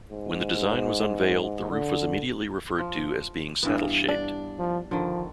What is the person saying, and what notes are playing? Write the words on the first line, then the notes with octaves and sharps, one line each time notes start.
When the design was unveiled, the roof was immediately referred to as being saddle-shaped.
G#2
D3
F3
G2 E3 B3
D4
F3
D3 D#3 F3